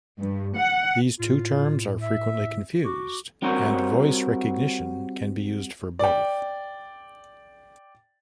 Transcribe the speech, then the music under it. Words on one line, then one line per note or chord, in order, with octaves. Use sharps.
These two terms are frequently confused, and "voice recognition" can be used for both.
G2
F#5
A2 F4
E5
F#4 D6
G3 C4 F#4 A#4 C5 C#5
D5 G5